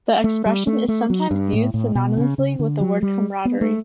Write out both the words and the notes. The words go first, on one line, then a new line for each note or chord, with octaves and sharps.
The expression is sometimes used synonymously with the word camaraderie.
A3
G3
A3
A3
F#3
G2
A2
A2
B2
C#3
C#3
D3
F#3
G3
B3
A3